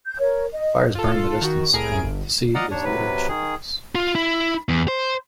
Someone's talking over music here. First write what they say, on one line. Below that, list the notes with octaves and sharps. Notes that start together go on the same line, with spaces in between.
Fires burn in the distance, and the sea is littered with shipwrecks.
G6
A#4 C#5
D#5
F4 A4
D#3 F#4
C2 A2 G#4 A#4 D7
G1
D5 D#5 F5 F#5 A#5
D#2 D4 C#5
C3 F#3 B4
D#3 G#4
F4
E4
E2
C5